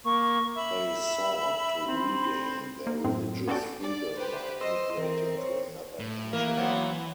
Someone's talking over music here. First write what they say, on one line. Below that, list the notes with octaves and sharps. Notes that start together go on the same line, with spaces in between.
They sought to regain their religious freedom by emigrating to another country.
A#3 C#6
E5 B5
C4
A#3
F#2 A2 C4
B3 C#4 F#4 A4 D5 G5
D5
G4 B4 C5
C5 D#5 C6 E6
E3 C4 A#4
C5 C#5
A2
E3 A#3 A#4
F#3 B3 C4